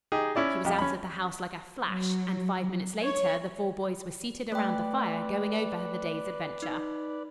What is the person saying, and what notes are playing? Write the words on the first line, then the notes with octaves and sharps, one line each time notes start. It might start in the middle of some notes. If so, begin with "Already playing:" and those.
She was out of the house like a flash, and five minutes later the four boys were seated around the fire going over the day's adventure.
D#4 G4 G#4
C#4 E4 D5
F2 G4
C#4 B5
F#3
C#5
A3 B4 D5 G5
D#4